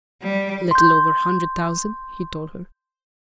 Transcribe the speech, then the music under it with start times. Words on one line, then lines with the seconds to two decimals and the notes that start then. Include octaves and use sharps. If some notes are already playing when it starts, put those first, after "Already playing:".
"A little over a hundred thousand," he told her.
0.22 G3
0.71 C6 G6